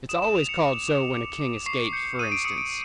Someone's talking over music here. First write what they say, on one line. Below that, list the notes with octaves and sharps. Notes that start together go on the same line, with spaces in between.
It's always called so when a king escapes, f'rinstance.
D#6 E7
E7
D#6 F7
C#7
D6
D6
D6
D6
C#6 C7
G6 C#7
D#6 D#7
D7
D#6 C#7
D7